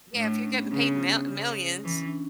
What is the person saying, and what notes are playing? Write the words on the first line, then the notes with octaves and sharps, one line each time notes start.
Yeah, if you're getting paid m millions,
A2 D4
D4
C#4
B3
C#3 C#4
C#3
E3 C#4
D4